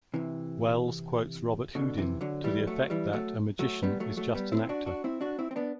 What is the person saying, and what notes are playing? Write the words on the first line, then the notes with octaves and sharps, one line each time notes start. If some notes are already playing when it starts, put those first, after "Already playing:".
Welles quotes Robert-Houdin to the effect that a magician is just an actor.
C3 E3
B2 D3
C3 E3
D3 F#3
E3 G3
F#3 A3
E3 G3
F#3 A3
F#3 A3
G3 B3
F#3 A3
F#3 A3
G3 B3
C4 E4
D4 F#4
D4 F#4
C4 E4
D4 F#4
C4 E4
C4
B3 D4